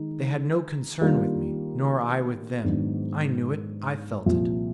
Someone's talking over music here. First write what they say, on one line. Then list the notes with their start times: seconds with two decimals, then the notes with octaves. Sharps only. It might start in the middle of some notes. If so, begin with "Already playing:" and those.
They had no concern with me, nor I with them. I knew it; I felt it.
Already playing: D#3 G#3 D#4
1.01 D#3 G3 A#3 D4 F4
2.64 G#2 D#3 F#3 B3 D4
4.26 C2 A#2 F3